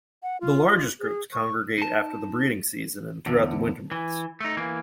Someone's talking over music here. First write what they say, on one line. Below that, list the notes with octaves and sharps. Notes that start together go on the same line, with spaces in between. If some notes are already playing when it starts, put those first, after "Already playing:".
The largest groups congregate after the breeding season and throughout the winter months.
F#5
F4
G#4
C#6
D#4 A5
E2 D3
E3
A3 D#4
E3 A#3